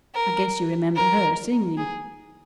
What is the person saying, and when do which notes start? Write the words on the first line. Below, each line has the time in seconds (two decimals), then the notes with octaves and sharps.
I guess you remember her singing.
0.15 A#4
0.96 A#4
1.77 G#4